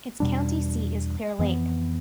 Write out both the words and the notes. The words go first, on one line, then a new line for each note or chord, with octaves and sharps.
Its county seat is Clear Lake.
E2 B2 G3 D4
F2 E3 B3